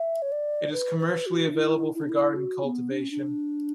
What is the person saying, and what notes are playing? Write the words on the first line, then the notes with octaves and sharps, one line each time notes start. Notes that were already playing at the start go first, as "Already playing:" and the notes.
It is commercially available for garden cultivation.
Already playing: E5
C#5
D5
B4
B4
F#4
D4
E4
E4
D4
E4
F#4
B3
D4
C#4
D4